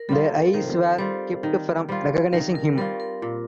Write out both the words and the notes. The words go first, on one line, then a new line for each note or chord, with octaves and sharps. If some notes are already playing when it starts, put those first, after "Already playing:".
Their eyes were kept from recognizing him.
Already playing: A#4
G3 C4 F4 A4
D#3 C5
G3 C4 F4 C5
D#3
G3 C4 F4
D#3 A#4
A#4
G3 C4 F4 A#4
A#4
A#2